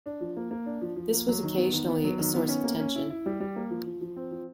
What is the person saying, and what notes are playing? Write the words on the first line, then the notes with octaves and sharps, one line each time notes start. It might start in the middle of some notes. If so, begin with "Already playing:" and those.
This was occasionally a source of tension.
D4
F3
A#3
A#3
D4
F3
F3
A#3
F#3
D#3
B3
D#3
B3
F#3
D#3
B3
C#4
A#3
C#4
E4
E4
G3
G3
A#3
F3
F3
F3
C4
F3